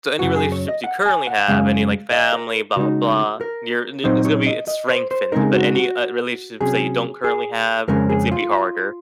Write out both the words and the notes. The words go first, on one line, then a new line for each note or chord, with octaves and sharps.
So, any relationships you currently have, any, like, family, blah, blah, blah, you're and i it's gonna be it's strengthened. But any, uh, relationships that you don't currently have, it's gonna be harder
F#2 C#3 F#3 F#4
G#4
C#5
D#5
F#5
G#5
F#5
F#2 C#3 G#3 F5
D#5
A#4
C#3 G#3 D#4 F#4
A#4
A#2 F#3 C4 D#4 C5
C#5
D#5
D#5
C5
C5
C#3 G#3 C4 D#4 A#4
F#4
F#4
C3 F#3 C#4 G#4
G#4
F2 C#3 G#3 C#4 A#4
G#4
F4